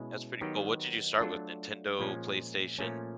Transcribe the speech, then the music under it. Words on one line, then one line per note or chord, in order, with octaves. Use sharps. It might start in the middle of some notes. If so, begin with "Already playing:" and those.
That's pretty cool, what did you start with? Nintendo? PlayStation?
Already playing: B2 G#3 C#4 E4
D#3 F#3 B3 D#4 G4
F#3 A3 D4 F4 A4
A#2 F3 G#3 C#4
A#2 F3 A3 C#4